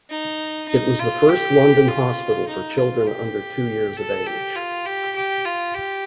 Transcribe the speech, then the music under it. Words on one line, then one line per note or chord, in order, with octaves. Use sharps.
It was the first London hospital for children under two years of age.
D#4
D#4
F4
G4
F4
D#4
F4
G4
A4
G4
F4
G4
G4
F4
G4